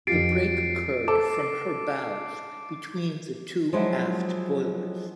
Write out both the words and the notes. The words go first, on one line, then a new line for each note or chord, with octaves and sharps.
The break occurred from her bows, between the two aft boilers.
F2 F4 G4 A6 C7 D7
A4 C5 D6
F3 F#3 G#3 E4